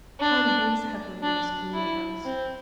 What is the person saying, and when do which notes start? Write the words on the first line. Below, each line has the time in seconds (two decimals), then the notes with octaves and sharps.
Time hangs heavily in this gloomy house.
0.21 D4
1.23 D4
1.74 E4
2.25 C4